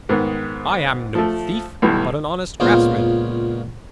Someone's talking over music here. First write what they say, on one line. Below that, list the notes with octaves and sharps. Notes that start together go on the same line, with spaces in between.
I am no thief, but an honest craftsman.
G#2 D#3 B3
F3 A3
B1 G2 E3
C#2 A#2 B3 C#4 F4 C5